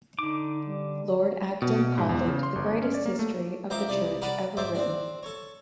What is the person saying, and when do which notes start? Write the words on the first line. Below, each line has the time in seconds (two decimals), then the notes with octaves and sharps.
Lord Acton called it the greatest history of the Church ever written.
0.19 D3 D#4 D6
0.66 G3
1.62 B2
1.83 B2
1.98 G#2
2.09 E2
2.28 C#3
2.43 C6
2.56 G1
2.82 C#4
2.94 D5
3.06 A#3
3.19 A3
3.70 C#2 C5 E5 A#5 D6
3.89 C2 D5
4.22 A#4 D5 F#5 A5 B5
4.57 G#2 C5 E5 D6
4.75 C4 D4
5.23 A4 C#5